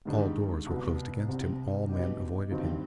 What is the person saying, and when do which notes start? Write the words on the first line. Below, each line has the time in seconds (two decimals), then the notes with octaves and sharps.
All doors were closed against him, all men avoided him.
0.05 G#2 D#3 G3 D4
0.66 C2 B2 B3
1.28 C2 C3 G3 C4
1.89 B2 B3 D#4 G4
2.51 G2 D#3 G3 C4